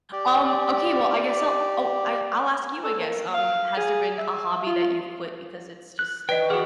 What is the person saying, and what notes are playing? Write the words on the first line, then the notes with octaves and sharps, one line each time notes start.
Um, okay, well, I guess I'll oh, I I'll ask you, I guess, um, has there been a hobby that you've quit because it's just not
G4 D5
A4
A#3
F5
G#4
E5
F4
F#6
B4 D5 D#5 G5
E3 F#4 G#4 F#5 C#6